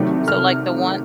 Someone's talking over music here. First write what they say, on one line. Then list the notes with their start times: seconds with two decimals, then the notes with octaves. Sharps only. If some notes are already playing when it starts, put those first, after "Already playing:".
so like the one
Already playing: C2 C3 D#3 F#3 A3
0.28 F6